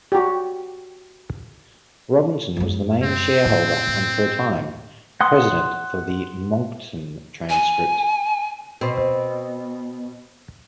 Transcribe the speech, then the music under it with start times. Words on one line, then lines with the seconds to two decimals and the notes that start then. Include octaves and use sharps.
Robinson was the main shareholder and, for a time, president for the "Moncton Transcript".
0.12 F#4 G4
2.57 F#2 G#3
3.03 C4
3.46 A2 D3
3.87 A2
5.21 F#5 C6 D#6
7.50 G#5
8.81 B2 C4